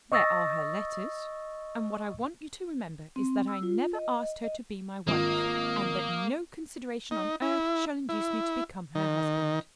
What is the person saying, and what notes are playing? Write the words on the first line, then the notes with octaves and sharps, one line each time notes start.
There are her letters, and what I want you to remember is that I never asked her to be my wife, and that no consideration on earth shall induce me to become her husband.
D#5 C#6 D#6 E6 A6 A#6
C4
E6
F4
D#5
D#5
G#1 A#3 F4 D#6
D#4
E4
E4
D#3